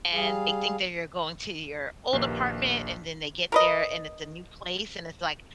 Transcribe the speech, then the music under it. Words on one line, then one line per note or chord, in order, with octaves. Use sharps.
and they think that you're going to your old apartment, and then they get there and it's a new place and it's, like,
G3 G#4 F5
A#1 D#2 A#3 G4 B4 C7
A#4 B4 D#5